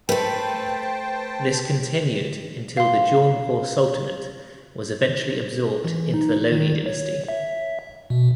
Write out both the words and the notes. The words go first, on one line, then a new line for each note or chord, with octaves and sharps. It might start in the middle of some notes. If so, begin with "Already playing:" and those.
This continued until the Jaunpur Sultanate was eventually absorbed into the Lodi dynasty.
A3 B4 C5 G5 A5
F5 C6
E3
D#4
D#3
C#5
E5
B2